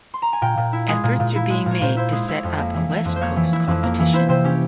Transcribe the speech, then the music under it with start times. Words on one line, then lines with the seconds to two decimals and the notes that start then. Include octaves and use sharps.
Efforts are being made to set up a west coast competition.
0.14 C6
0.22 A#5
0.33 G#5
0.42 A#2 G5
0.57 A#2
0.73 E4
0.88 G#3 G#4
1.04 A#2
1.20 A#2
1.35 E4
1.50 G#3
1.66 A#2
1.71 C#5
1.81 A#2 C5
1.97 E4 C5
2.12 G#3 G#4
2.28 E4 C#5
2.44 F2
2.59 A#3
2.74 E3
2.90 E4
3.05 F2
3.16 C5
3.21 A#3 C#5
3.36 E3
3.53 E4
3.67 F2
3.83 A#3
3.99 E3
4.13 E4 C5
4.29 C3 C5
4.44 C#4 G4